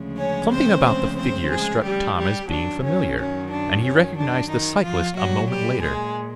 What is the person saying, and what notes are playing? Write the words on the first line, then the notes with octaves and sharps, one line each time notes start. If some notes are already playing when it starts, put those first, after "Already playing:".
Something about the figure struck Tom as being familiar, and he recognized the cyclist a moment later.
Already playing: D2 C#3 F3 G#3
C#4 C#5
C4 C5
C4 C5
C4 C5
G#3 G#4
G3 G4
G3 G4
F#2 D#3 F#3 D4
C#4
C#4
D4
C#4
D4
D#3 D#4
F3 F4
A#2 F#3 G3 F#4
G3 G4
G#3 G#4